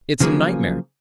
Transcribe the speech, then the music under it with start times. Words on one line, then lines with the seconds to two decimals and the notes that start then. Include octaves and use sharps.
It's a nightmare!
0.20 C#3 F3 F#3 A#3 G#4